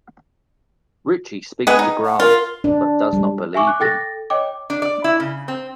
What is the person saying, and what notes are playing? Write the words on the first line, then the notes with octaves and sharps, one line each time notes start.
Ritchie speaks to Grant, but does not believe him.
G#3 B3 G#4
D#4
F#5
F4 A#4
D4
G3
E5 G#5 C#6 D6
D6 F#6
A4 G5 A6 A#6
C#5 D#5 G5 D6
D4
D5
E4
C#3
C4